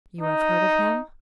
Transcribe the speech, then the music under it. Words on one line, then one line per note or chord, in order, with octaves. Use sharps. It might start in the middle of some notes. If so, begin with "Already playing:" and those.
You have heard of him?
D#4